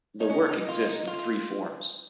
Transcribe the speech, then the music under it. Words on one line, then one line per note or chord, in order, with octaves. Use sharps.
The work exists in three forms.
D#4 C#5
C#4 D#5
D#4
F4
D#4
F4